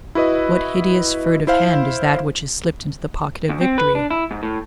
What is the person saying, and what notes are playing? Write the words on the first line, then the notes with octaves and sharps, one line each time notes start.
What hideous, furtive hand is that which is slipped into the pocket of victory?
E4 F#4 B4 D#5
E4 C5 F5
D2
C4
B4
D4
E4
G#2
A2